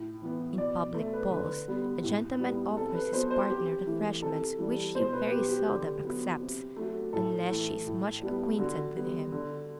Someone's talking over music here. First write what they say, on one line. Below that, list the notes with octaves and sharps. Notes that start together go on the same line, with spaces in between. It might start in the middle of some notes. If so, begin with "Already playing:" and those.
In public balls, a gentleman offers his partner refreshments, which she very seldom accepts, unless she is much acquainted with him.
Already playing: A2
E3 B3
B2 D5
A3
B4
D3 B4
G3 B3
A2
G3 B3
C3 A4
B4
F#3 B3 C5
C5
C3 G4
E3 A3
C3 A4
E3 G3
B2 C5
B4
F#3 B3 G4
G4
D3 G4
F#3 B3
C3
F#3 A3
A2 A4
E3 A3
A2
G3 B3
D3 F#4
G3 B3
D3